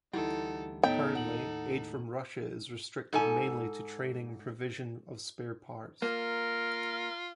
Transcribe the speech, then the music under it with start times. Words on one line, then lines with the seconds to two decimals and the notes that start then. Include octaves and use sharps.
Currently, aid from Russia is restricted mainly to training and provision of spare parts.
0.13 D2 E3 G3 D#4 E4 A4 F#5
0.83 D#2 A2 B3 D#4 A4 C#5 D#5 G5
1.15 F#5 F#7
3.13 G#2 A4 G#5
6.02 A#3 F4 A#4